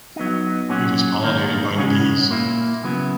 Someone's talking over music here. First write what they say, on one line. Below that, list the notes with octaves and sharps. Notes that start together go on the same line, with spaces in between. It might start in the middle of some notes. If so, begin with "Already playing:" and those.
It is pollinated by the bees.
F#3 B3 D#4
A#2 F#3 C#4 F#4
D#3 A#3 D#4
C#3 G#3 C#4 F#4
A#2 A#3 E4
C#3 F#3 B3 E4